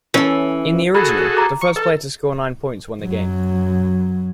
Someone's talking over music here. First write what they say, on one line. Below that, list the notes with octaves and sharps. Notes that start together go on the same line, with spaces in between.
In the original, the first player to score nine points won the game.
E3 C#4 A4
F#4 G#4 A4 B5
A#5 D6
C#6
A4 B4
F#2 F#3